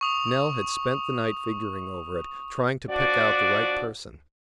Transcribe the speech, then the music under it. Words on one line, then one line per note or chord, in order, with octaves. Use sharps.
Nell had spent the night figuring over it, trying to pick out the right person.
C#6 D#6 F7
F3 D4 F#4 D5